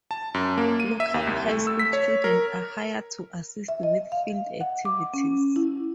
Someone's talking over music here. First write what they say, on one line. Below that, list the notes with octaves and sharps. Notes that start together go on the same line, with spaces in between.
Local high school students are hired to assist with field activities.
A5
F#2
A#3
D#7
E5
D#2
C2
A3
E6
B6
C#5
A#4
E5
D#5
F5
F#5
D6
C#4
E4